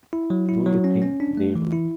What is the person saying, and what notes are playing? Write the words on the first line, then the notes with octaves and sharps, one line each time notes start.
Do you think they do?
E4
F#3
E4
F#3
C#4
C#4
D4
A3
E3
E4